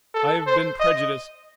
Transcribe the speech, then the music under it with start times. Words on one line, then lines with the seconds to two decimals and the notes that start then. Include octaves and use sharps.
I have been prejudiced.
0.14 A4
0.46 C5
0.79 D#5